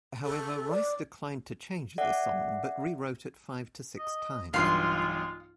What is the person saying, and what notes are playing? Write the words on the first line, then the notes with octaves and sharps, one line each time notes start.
However, Rice declined to change the song, but rewrote it five to six times.
A4
D5
A4 D5 E5 F#5
D#5
B1 G2 E3 G#3 F4 F5 C6